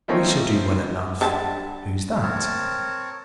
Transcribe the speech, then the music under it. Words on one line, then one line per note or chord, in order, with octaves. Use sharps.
We shall do well enough.--Who's that?'
F3 A3 A#3 C4 C#4 D#4
D3 G3 A5
C4 A#4 C#5 A5